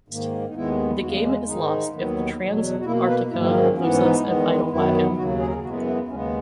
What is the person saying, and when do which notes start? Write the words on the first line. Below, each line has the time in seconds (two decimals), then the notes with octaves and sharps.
The game is lost if the "Transarctica" loses a vital wagon.
0.08 G#2 D#3 A#3
0.48 D#4
0.54 D#2 D#3 G#3 B3 E4
1.01 E2 C#3 G#3 F#4
1.18 B3
1.24 C#4
1.47 G#2 D#3 G#3 D#4
1.93 D#2 D#3 F#3 B3
2.39 E2 B2 F#3
2.80 F#4
2.85 B2 A#3 E4
3.09 B4
3.31 G#2 D#3 F#3 A#3 E4
3.43 E4
3.47 D#4
3.62 C#4
3.77 G#2 E3 B3 C#4
3.92 C#4
4.01 D#4
4.24 E2 D#3 G#3 B3
4.70 F#2 D#3 F#3 B3 E4
5.16 D#2 C#3 F#3 F#4
5.39 G#4
5.47 A#4
5.55 G#4
5.62 F#2 E3 G#3 B3 F#4
5.86 E4
6.08 D#2 C#3 G#3 B3 C#4